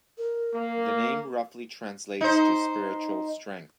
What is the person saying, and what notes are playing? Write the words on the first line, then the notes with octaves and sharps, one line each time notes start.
The name roughly translates to "spiritual strength".
A#4
A#3
D#4 C5